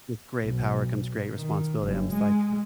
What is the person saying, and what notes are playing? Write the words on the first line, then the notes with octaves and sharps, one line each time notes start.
"With great power comes great responsibility." I'm just like,
B1
D#3
F#1
G#3